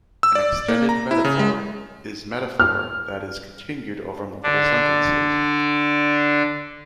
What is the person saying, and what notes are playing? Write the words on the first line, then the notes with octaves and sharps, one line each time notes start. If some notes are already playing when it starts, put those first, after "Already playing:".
An extended metaphor is metaphor that is continued over multiple sentences.
E6
D5
A#3
A#5
E4
C#3
G#3
F6
D3 D4